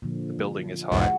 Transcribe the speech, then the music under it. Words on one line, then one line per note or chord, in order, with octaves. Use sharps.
The building is high.
A#2 D3 F3
B1 E2 G#2 G#3 F#4